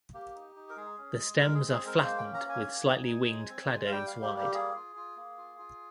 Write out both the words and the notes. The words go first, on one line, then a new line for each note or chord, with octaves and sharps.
The stems are flattened with slightly winged cladodes wide.
A#3 G4
D#4
D#4
A#4
G#3 G#4
C#4
G#3
G#3 A#4
G#4
C4
G#4
G#3
A#4
A#3 C5
G5
C#4
A#5
A#3 G#5
A#3
D#4
D#4
G#3
C4
G#3
F5
G3 G5
A#3 F5
G4
G3 G4
A#3 G#4
F4
F4
A#3
F4
F4